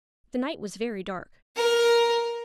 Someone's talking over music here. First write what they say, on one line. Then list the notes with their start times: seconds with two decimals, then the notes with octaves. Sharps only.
The night was very dark.
1.56 A#4